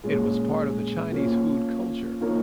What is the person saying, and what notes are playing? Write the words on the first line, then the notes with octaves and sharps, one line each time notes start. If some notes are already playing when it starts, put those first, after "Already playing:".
It was part of the Chinese food culture.
A#2 G#3 C#4
F3 A#3 C#4
F3 A#3 D#4 A#4 C#5